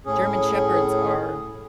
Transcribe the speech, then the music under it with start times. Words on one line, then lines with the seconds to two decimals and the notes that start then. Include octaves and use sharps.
German Shepherds are,
0.06 A2 C#4 G#4